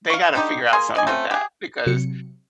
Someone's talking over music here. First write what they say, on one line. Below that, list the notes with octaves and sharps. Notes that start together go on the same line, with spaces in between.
they gotta figure out something with that because
F5 C#6
D3 G3 D#4 G4
A#3 G#4 G#5 C6
D5 D#5 G#5
A3 C4 C#4 F4
G4 G#4
C3 F#3 C#7